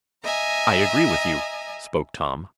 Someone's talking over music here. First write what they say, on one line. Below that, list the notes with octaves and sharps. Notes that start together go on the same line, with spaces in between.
"I agree with you," spoke Tom.
D#5 E5 G#5 A#5